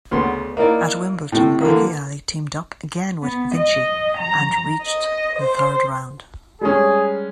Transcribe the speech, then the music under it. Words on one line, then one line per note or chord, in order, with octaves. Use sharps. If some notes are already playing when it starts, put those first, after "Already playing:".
At Wimbledon, Bracciali teamed up again with Vinci and reached the third round.
D2 C#3 B3 D4 C6
A#3 D#4 E4 A#4 D5
A2 C3 A4
D3 E3 A#3
B3
D#5
A#5
D#5
C5
G3 G#3 C#4 G#4